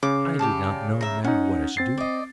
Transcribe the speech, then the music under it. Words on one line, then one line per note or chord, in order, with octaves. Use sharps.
I did not know now what I should do.
C#3 D6
G4 D5 A5
E5 A#5
C#4 D#4 F#5
C4 A6 C7
D5 D#5